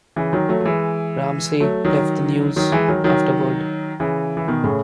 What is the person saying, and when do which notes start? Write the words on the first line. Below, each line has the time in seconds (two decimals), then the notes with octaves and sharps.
Ramsey left the "News" afterward.
0.16 C#3 E3
0.33 D#3 F#3
0.49 F#3 A3
0.60 F#3
0.65 E3 G#3
1.60 F#3 A3
1.85 D#3 F#3
2.56 D#3 F#3
2.72 E3 G#3
2.88 D#3 F#3
3.04 D#3 F#3
4.00 C#3 E3
4.37 E3
4.48 B2 D#3
4.64 A2 C#3